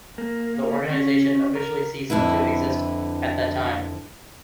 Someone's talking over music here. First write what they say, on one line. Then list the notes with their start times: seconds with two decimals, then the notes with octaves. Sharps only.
The organization officially ceased to exist at that time.
0.18 A#3
0.90 C#4
1.55 A#4
2.10 F2 D3 E4 B4